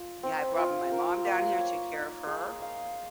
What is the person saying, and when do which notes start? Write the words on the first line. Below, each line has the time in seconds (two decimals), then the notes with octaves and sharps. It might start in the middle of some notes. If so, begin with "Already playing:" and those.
Yeah, I brought my mom down here, took care of her
Already playing: F4
0.23 C4
0.57 F4
0.91 A#4
1.25 A#3
1.59 C#5
1.93 D#4
2.27 G#4
2.62 F5